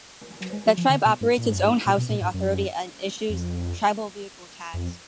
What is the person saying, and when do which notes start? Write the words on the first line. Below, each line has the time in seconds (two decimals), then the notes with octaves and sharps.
The tribe operates its own housing authority and issues tribal vehicle tags.
0.41 F#3
0.53 G#3
0.66 F#3
0.77 F3
0.89 D3
1.05 B2
1.21 G#2
1.38 A#2
1.46 G#2
1.54 F#2
1.63 G#2
1.86 A#2
1.98 B2
2.10 A#2
2.21 G#2
2.34 F#2
3.30 F2
4.74 F2